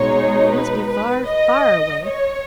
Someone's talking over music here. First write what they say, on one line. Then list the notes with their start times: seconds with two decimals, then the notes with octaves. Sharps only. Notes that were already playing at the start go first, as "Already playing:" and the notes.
But it must be far, far away!
Already playing: B2 G#3 D#4 C#5
0.50 B4
0.89 B4
1.27 D#5
2.05 C#5